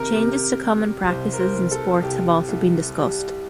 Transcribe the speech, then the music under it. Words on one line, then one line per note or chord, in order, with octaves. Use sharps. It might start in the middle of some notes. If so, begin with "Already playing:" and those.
Changes to common practices in sports have also been discussed.
Already playing: C3 D#3 A#4
C3
G3
C2 C5
A#4
C5
C2
A4
C2 G4
C2
G3